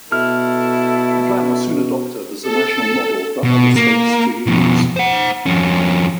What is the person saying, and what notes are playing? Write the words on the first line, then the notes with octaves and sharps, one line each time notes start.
The plan was soon adopted as a national model for other states to use.
B2 E4 A4 F6
A4
B2
A#3
F2 B2
C5 F#5
F2 C#4